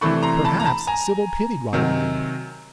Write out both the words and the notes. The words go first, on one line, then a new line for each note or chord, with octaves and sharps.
Perhaps Sybil pitied Ronald a little.
C3 E3 A3 D4 B5 C#6
A#5 C6
A5 B5
A#5
A5 B5
G#5 A#5
C3 D#3 F#3